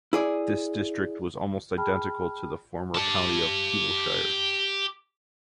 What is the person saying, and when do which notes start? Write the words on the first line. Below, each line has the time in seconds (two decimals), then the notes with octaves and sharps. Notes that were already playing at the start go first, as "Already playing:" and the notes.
This district was almost identical to the former county of Peeblesshire.
0.13 E4 G#4 D5
1.77 G#4 G5 A5 B5 F6
2.95 G4 A5